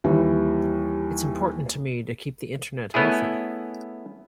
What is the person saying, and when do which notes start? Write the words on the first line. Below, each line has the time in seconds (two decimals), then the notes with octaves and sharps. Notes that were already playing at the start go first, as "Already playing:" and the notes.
Itâs important to me to keep the Internet healthy.
0.04 D#2 E3 G3
2.94 A3 B3 C#4 E4 G#4